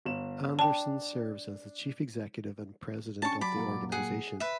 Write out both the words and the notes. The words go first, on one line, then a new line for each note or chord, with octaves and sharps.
Anderson serves as the Chief Executive and President of the organization.
G1 E7
D4 G5 A5
C#4 D4 A5 C#6
F#3 D5 B5
A#2 F#3 A#3
G#4 F#5
B4 E5